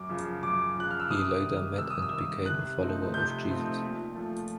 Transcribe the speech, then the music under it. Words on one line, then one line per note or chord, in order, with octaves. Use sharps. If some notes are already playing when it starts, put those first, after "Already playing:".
He later met and became a follower of Jesus.
Already playing: F#2 D6
C#3 F3
F#2 D6
C#3 F3 F#6
F6
E6
C3 D#6
D#3 G3
C3 E6
D#6
E6
D#3 G3
C3 F#6
F3 A3 C4 D#4
C3 G6
F3 A3 C4 D#4
A#2
F3 A3